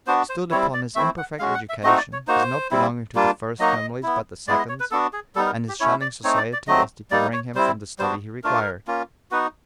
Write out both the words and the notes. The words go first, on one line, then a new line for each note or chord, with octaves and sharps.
He stood upon his "imperfect education," his not belonging "to the first families, but the seconds"; and his shunning society as debarring him from the study he required.
B3 D4 F#4 C5
C5
G3 C4 E4 C#5
D5
A3 C4 E4 E5
F#5
G#3 C#4 F#4 F5
F#5
E5
A3 C4 D#4 F#4 D#5
D5
C#5
A#3 D#4 F#4 C5
G3 C4 E4
G3 A#3 D4 F4
F#3 A#3 D#4 F#4 D#5
B3 E4
G#3 B3 E4 D5
D#5
C#5
B4
B3 D4 F#4 A4
G#4
G3 B3 D#4 A4
A#4
G4
A3 C#4 E4 C#5
D5
A3 C4 D#4 C#5
D5
D5
F#3 A3 C4 D#5
G3 A#3 D#4 D5
C#5
G3 C4 E4 C5
G3 B3 D4 F#4 C5
A3 D4 F4 A#4
A#3 C#4 F4
B3 D#4 F#4 B4